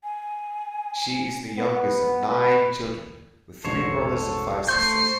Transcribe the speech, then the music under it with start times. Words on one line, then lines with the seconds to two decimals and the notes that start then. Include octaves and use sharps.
She is the youngest of nine children, with three brothers and five sisters.
0.04 G#5
1.57 B3
2.30 B4
3.65 E1 A1 A4 C5 C#5
4.69 A3 C5 C#6 G6 C7